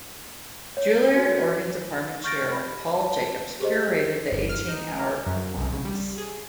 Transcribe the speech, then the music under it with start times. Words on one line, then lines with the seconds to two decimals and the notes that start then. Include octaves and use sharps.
Juilliard Organ Department Chair, Paul Jacobs, curated the eighteen-hour performance.
0.77 C#5
1.16 F#4
2.24 C#6 F6 G6 A6 A#6 D7
2.52 B5
2.94 A5
3.60 G4 G#4 C5 D#5
4.32 G1
4.49 F6
4.68 D#4
4.99 A#4
5.26 F#2
5.57 B1
5.73 C#3
5.85 G3
6.18 G#4